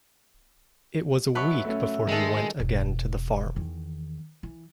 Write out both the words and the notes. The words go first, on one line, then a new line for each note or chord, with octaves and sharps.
It was a week before he went again to the farm.
B2 F#3 B4 E5 A5 C#6
A3 C#4
D#3 G#3 A4
E1
E2 D#3
E3